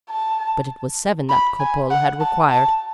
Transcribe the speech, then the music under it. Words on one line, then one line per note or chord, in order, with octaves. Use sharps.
But it was seven that Cropole had required.
A5
B5
G#5
F#5
A5
A5